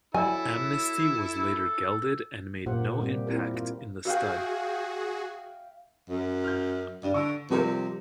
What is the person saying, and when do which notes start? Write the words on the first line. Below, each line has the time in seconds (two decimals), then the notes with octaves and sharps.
Amnesty was later gelded and made no impact in the stud.
0.14 F#3 E4 A4 G#5
2.66 A#2 A#3 F4 G4 C5 F#5
3.00 G3 A#3 C4 G4
3.27 C4 E4 F4 G4 A#4
3.54 F4
4.05 F#4 G#4 E5 F5 G5
6.09 F#2
6.44 F6 G6
7.03 G2 D5
7.14 D3 C#6 E6
7.50 C3 F3 G3 A#4